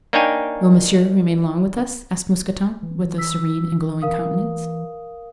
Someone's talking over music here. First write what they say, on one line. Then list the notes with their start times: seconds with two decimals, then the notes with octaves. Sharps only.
"Will monsieur remain long with us?" asked Mousqueton, with a serene and glowing countenance.
0.13 A#3 D4 D#4 C#5 G5 G#5
2.83 E3
3.18 E6 B6
4.02 A#4 F5 D#6